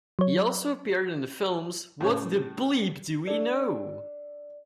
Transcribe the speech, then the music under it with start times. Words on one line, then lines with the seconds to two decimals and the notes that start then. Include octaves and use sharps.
He also appeared in the films What the Bleep Do We Know!?
0.19 F#3 C#5
2.01 A2 C#3 C#5
3.27 D4 A4 D5